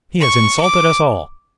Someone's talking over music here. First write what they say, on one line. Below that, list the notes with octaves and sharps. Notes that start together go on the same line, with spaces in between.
He has insulted us all.
C#6
D6